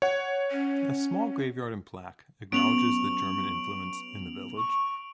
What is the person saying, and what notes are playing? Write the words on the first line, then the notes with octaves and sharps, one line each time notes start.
A small graveyard and plaque acknowledges the German influence in the village.
C#5 F#5
C#4
F#3 B3 C#4 C#6 D7 F7 F#7
C#6